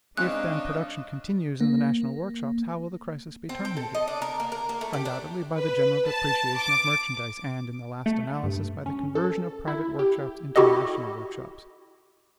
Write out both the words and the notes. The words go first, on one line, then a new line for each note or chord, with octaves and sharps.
If, then, production continues in the national workshops, how will the crisis be terminated? Undoubtedly, by the general depreciation of merchandise, and, in the last analysis, by the conversion of private workshops into national workshops.
C#3 G#3 C4 D4 D#4 D#5 F#6
A#3
C4
G5
A4
D#5
D4
A#4
A#3
A#4
A#3
A3
G4
D4
B4
A5
D6
A3
G2
C#4
A4
E4
G4
E4 F#4 G4 A4 D#5